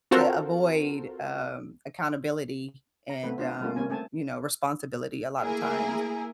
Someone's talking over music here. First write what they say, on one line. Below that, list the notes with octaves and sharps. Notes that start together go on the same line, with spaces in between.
to avoid, um, accountability and, um, you know, responsibility a lotta times.
C4 F4 F#4 A4 A#4 C5
A#5
A3 B3 C4 B4
B3 D4 F4 C5
G3 A3 A#3 C#4 F4
G3 A#3 C#4 G#5
A3 C4 G#5 A5
A3 A#3 E4 G#4 A#4